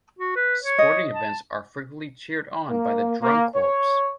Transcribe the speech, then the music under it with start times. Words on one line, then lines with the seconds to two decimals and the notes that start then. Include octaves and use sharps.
Sporting events are frequently cheered on by the Drum Corps.
0.19 F#4
0.36 B4
0.63 C#5
0.78 D#5
1.13 A5
2.69 A#3
3.22 A#3
3.55 C#5